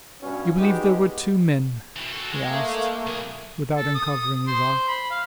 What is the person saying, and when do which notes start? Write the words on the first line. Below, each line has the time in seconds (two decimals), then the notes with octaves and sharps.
"You believe there were two men?" he asked, without uncovering his eyes.
0.22 G2 B2 C#4
0.58 G#3 B3 D#4 F#4 G4
1.96 B2 E3
2.12 F#4 A4
2.30 G#3
2.50 A3 A#3
3.06 B1 G#4
3.76 A4
3.95 D#6
4.47 C5
4.88 B5
5.11 F5